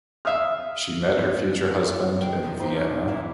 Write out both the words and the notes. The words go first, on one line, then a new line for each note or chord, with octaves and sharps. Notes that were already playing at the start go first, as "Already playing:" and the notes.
She met her future husband in Vienna.
E5 F5 D#6 F6
G#3 G5
C3 D#3 F3
D#4 F4 G4 C5 G6
C#4 D4
D#3 A#3 E4